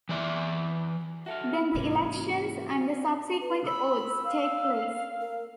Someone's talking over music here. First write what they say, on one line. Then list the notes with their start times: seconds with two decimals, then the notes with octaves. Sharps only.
Then the elections and the subsequent oaths take place.
0.09 E3 D5 E5
1.26 F#4 A4 E5 F5
1.74 G#2 C3 E3 A#3 C#4 E4
2.15 F#4
3.41 B4
3.66 B5 E6
4.25 F5
5.21 A#4